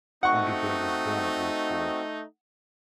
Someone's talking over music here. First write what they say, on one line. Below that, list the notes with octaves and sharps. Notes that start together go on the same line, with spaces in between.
Audebert was born at Rochefort.
A3 C4 D#4 F#4 F#5 C#6